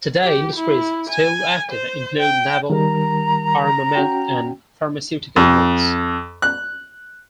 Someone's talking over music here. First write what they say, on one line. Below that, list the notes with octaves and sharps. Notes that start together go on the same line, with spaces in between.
Today industries still active include naval, armament and pharmaceutical ones.
G4
E4
G#5
C5
G5
D#3 G3 A#4 A#5
C#4 F#4 G5
F2
F#6